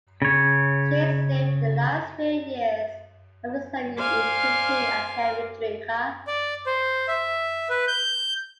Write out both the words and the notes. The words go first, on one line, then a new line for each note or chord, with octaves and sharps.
Shays lived the last few years of his life in poverty, a heavy drinker.
C#3 C#5
C5 D5 F5 G#5 F6
D5
C5
E5
B4
G6